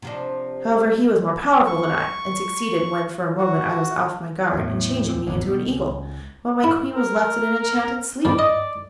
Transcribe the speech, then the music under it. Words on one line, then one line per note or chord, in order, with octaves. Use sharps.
However, he was more powerful than I, and succeeded, when for a moment I was off my guard, in changing me into an Eagle, while my Queen was left in an enchanted sleep.
C3 F3 D4
C#6
F#4
E2 A2
E2 A#2 A3 C4
G#1 E2 A2 D3
B2
C#2
E4
A#4
E2 F3 D5
D#5